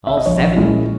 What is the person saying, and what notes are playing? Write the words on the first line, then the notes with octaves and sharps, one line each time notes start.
"All seven?"
E5
D#5
A#1 C#5
A#2 G#3 C#4 E4